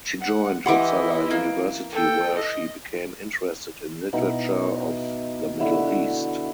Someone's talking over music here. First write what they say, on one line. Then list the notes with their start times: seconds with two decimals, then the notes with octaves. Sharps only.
She joined Uppsala University where she became interested in literature of the Middle East.
0.21 F#5
0.66 E3 E4 G4 D#5 F#5 C6 D6
1.31 A#3
1.92 A4 G5
2.36 D#5
4.13 B2 D#4 E4 B5
5.59 D3 E4 F#4